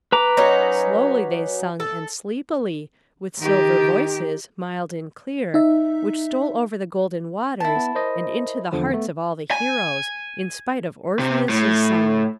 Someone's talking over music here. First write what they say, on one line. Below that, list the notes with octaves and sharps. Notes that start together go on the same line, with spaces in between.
Slowly they sung and sleepily, with silver voices, mild and clear, which stole over the golden waters, and into the hearts of all the heroes, in spite of Orpheus's song.
B4 A#5 D6
F#3 C#4 D#4
A4
D#3 G4
D#4 E5
E4 A5
B3
A#4 C5 D#5
E2 D3 F3
A3 B3
G#5
C3
A2